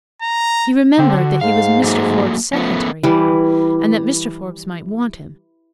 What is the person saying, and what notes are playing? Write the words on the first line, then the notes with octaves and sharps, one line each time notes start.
He remembered that he was Mr. Forbes's secretary now, and that Mr. Forbes might want him.
A#5
D3 C4
F#4
G#2 F5
F#3 A3 A#3
F3 A3 B3 C#4
E3 G3